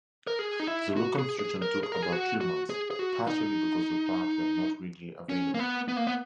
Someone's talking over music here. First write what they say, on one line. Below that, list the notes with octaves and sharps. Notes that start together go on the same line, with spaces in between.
The reconstruction took about three months, partially because the parts were not readily available.
A#4
G#4
D#4
E4
F#4
G#4
G#4
A#4
G#4
A#4
G#4
F#4
F#4
G#4
G#4
F#4
D#4
C#4
A#3
B3
B3
A#3
B3